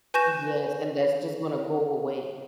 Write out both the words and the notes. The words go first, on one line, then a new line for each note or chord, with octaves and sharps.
Yes, and that's just gonna go away.
B4 G#5 C#6 G6 A#6 E7